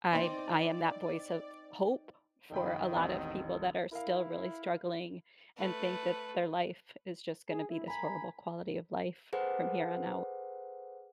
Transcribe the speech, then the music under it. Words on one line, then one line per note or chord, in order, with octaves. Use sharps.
I I am that voice of hope for a lot of people that are still really struggling, and think that their life is just gonna be this horrible quality of life from here on out.
C4 D#4 C5 D5
F#1 D#3 G5 B5
E1 A1 C4
E4 A#4 F5
A3 B4
G#4
E4
G#5 A#5 B5
G#4 A4 B4 C5 F#5